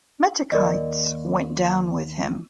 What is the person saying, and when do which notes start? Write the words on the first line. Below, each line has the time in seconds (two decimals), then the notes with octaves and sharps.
Metochites went down with him.
0.52 D#2 A#4 D5 D#5